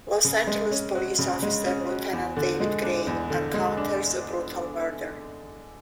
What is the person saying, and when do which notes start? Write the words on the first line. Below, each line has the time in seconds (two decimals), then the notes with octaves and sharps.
Los Angeles police officer Lieutenant David Grey encounters a brutal murder.
0.25 C#3
0.47 G#3
0.71 C#4
0.95 F#4
1.19 C#3
1.42 G#3
1.66 C#4
1.89 F#4
2.13 E2
2.37 D3
2.60 G#3
2.84 D4
3.07 E2
3.30 D3
3.54 G#3
3.77 D4